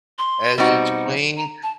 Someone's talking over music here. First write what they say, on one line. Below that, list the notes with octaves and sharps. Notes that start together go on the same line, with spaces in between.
As it's clean,
C6
B2 G3 C4 D#4 F#4
A#5
A5